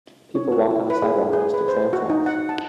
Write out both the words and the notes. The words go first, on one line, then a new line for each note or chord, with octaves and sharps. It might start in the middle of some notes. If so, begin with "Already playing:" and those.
People walk on a sidewalk next to tram tracks.
C#5
F#4
E4
B4
G#4
G#4
B4
C5
F#4
D#4
F#5
A5